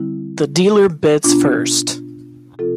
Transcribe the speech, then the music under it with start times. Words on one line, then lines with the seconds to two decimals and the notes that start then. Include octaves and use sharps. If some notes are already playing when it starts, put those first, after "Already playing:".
The dealer bids first.
Already playing: D3 G3 C4 E4
1.24 B2 B3 D4 F4
2.59 C3 F3 C4 F4 A4